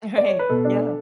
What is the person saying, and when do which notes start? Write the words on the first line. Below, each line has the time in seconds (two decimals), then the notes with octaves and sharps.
Right. Yeah.
0.18 D5
0.28 C#5
0.39 B4
0.49 B2 A4
0.65 D4
0.79 D4